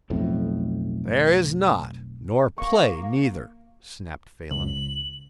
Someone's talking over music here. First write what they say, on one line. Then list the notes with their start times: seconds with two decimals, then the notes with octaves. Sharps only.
"There is not, nor play neither," snapped Phelan.
0.10 B1 F2 A2
2.58 A#3 C#6
4.51 C#2 F#7